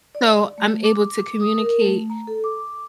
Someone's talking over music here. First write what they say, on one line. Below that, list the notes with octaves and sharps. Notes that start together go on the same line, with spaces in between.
so, I'm able to communicate
D5
A3
D6
D#6
A#4
A3
A#5
A4
D6